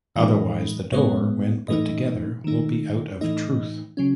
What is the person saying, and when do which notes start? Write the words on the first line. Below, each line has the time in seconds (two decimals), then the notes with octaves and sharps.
Otherwise the door, when put together, will be out of truth.
0.16 A2 E3 G#3 D#4 D#5
0.92 A2 G#3 B3 C#5
1.68 A2 E3 A3 D#4 D#5
2.44 D#3 A3 D#4
3.21 A2 E3 A3 D#4 D#5
3.97 C#3 F#3 C#4